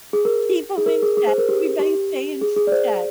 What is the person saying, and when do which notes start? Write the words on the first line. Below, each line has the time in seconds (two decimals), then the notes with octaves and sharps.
Keep 'em in check. Everybody stay in ch check.
0.13 G#4
0.25 A#4
0.77 G#4
0.86 A#4
1.02 G#4
1.17 G#4
1.27 C5
1.38 A#4
1.49 G4
1.79 G4
2.41 G#4
2.56 G#4
2.67 D5
2.72 C5